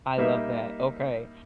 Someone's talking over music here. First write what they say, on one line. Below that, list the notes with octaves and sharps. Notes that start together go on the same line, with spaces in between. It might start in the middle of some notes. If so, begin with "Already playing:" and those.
I love that, okay.
G3 A#3 D#4 E5